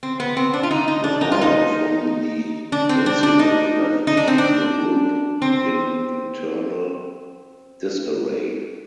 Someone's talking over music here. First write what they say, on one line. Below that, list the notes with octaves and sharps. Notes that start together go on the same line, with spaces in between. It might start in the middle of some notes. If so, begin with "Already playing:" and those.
The fallout from the incident left the group in internal disarray.
C4
B3
C4
D4
F4
D#4
D#4
D4
D#4
F4
D#4
D4
C4
D4
D4
D#4
D#4
D4
C4
D4
C4